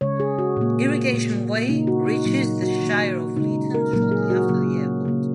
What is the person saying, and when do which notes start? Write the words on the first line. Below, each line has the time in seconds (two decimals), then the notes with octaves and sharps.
Irrigation Way reaches the Shire of Leeton shortly after the airport.
0.01 C#3 G#3 C#5
0.20 G#4
0.39 F#4
0.57 A#2 A#3
1.13 A#2 A#3
1.69 C#3 A#3 D#4
1.87 F#4
2.06 D#4
2.25 A#2 F#3 A#3 D#4
2.44 D#4
2.63 F#4
2.81 D#3 A#3
3.37 C#3 G#3 D#4
3.74 A#4
3.93 A#2 F#3 A#3 A#4
4.12 G#4
4.30 F#4
4.49 C#3 F#3 A#3
5.05 C#3 A#3